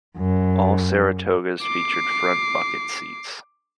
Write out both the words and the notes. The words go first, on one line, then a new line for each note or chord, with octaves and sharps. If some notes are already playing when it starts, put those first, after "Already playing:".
All Saratogas featured front bucket seats.
F#2
D6 C7